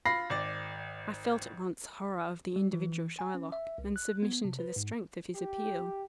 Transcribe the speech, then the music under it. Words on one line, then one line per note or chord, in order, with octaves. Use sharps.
I felt at once horror of the individual Shylock, and submission to the strength of his appeal.
F4 B5 A#6 C7
G#1 D5
G3
E3
G#5
C#4
E5
C2
F#6
B3
C3
B4
G#2
G4